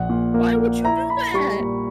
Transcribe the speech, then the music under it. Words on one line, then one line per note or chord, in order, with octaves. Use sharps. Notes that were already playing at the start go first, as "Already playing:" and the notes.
Why would you do that?"
Already playing: A#1 F#5
A#2
A#3
A#2
E4 A#5
E4 B5
G3 C#6
A#2